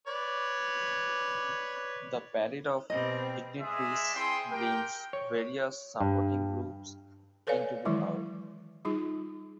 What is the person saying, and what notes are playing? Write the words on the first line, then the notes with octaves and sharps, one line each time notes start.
The "Parade of Ignitaries" brings various supporting groups into the hall.
B4 C#5 D5
B2 G3 C4 D#5
G#3 G#4 D5 E5
C4 E4 G#4 G5 C6
G4 A#4 G5
C#5
G2
A4 B4 C#5 D5 F5 G#5
D#3 E3 F#3 G#3 E4
G3 D#4 F4 G#4